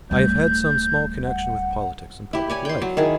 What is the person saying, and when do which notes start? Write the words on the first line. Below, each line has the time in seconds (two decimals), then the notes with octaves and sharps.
I have had some small connection with politics and public life.
0.11 D1 G3 G6
1.24 F#5
2.33 E4 G4
2.50 C#5 D5 G#5
2.65 G5 C6
2.82 F#3
2.97 D#3 E4 G#4